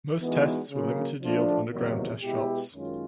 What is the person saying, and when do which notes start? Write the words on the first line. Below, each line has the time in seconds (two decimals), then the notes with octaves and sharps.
Most tests were limited-yield underground test shots.
0.19 E3 G#3 B3 D#4 F#4
0.69 C#3 F#3 A#3
1.20 F3 A3 D4 F4
1.71 E2 C3 D#3 F#3 A#3
2.21 B2 G#3 B3 E4 G4
2.72 F#2 D#3 G#3 C#4 F4